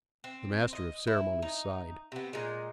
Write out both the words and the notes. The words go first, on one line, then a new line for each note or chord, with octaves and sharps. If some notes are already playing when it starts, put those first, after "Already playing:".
The Master of Ceremonies sighed.
C4
D#5
E4
D#4
C3 B3
A#2 G#3